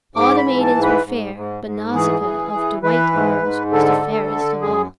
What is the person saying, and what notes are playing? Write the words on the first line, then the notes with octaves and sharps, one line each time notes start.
All the maidens were fair, but Nausicaa of the white arms was the fairest of all.
G#2 D6
B5
E3
A5
G#2
B4
G#2
G#2
G#2
E3 G#4
E3
E3
E3 B4
G#2
G#2
D3 A4
D2
D3
F#2 G#4